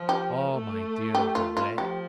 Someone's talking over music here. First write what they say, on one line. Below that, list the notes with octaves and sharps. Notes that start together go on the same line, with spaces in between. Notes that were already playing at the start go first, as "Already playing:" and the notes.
"Oh! my dear D'Herblay!"
Already playing: F3
G4
A3
G4
F4
F4
F3 G4